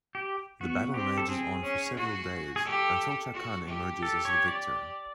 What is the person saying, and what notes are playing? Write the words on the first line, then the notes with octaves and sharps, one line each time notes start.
The battle rages on for several days until Chakan emerges as the victor.
G4
B3 F#4
C4 G4
A4
C4 G#4
C#4
F#4
G#4
G4 A4
F#4
G4
A4
C#5
D5